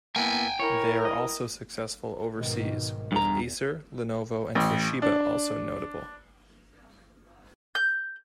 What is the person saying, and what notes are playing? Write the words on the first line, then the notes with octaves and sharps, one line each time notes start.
They are also successful overseas, with Acer, Lenovo, and Toshiba also notable.
A#3 B3 E4 G5 G#5
E4 A#4 C#5
D#5
G#2 B2 D#3
E2 G2 A#5
A1
D4
G6